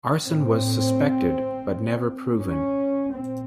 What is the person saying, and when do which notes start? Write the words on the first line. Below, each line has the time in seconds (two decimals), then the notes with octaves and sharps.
Arson was suspected but never proven.
0.24 A2 C4
2.41 C#4
3.12 A#2 C4